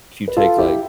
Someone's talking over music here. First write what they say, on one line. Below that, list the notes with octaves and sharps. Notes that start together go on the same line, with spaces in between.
if you take, like
B4
F4 A4
E4 G4